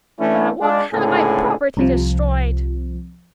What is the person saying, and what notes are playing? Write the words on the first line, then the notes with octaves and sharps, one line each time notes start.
"But I won't have my property destroyed."
E3 A3 C#4 D4 E4
G#3 D4 F4
C#2 A2 D3 C4 G#4 A4
C2 C3 F3